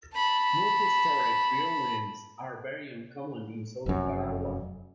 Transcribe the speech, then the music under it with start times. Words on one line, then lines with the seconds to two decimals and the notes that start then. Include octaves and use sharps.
Multi-storey buildings are very uncommon on South Tarawa.
0.14 A5 B5
3.86 F1 F#2